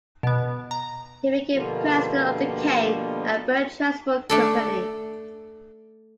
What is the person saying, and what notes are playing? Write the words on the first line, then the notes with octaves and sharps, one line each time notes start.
He became president of the Kaine and Bird transport company.
B2 B3
A#5
B2 D3 F3 G3 A#3 F4
A3 D4 A4